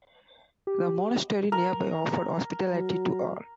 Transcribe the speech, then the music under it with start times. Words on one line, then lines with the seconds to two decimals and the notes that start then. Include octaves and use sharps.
The monastery nearby offered hospitality to all.
0.67 G4
1.52 A#4
2.71 F#3